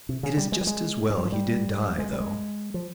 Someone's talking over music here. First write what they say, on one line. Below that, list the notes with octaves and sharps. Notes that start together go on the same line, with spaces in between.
"It is just as well he did die, though."
C3
C#3
G3
G#3
G3
G#3
G#3
G3
F3
G3
G#3
G3
G#3
F3